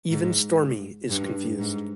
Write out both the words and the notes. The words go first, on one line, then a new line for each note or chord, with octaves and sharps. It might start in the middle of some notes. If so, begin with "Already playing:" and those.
Even Stormy is confused.
G#2
G2
G#2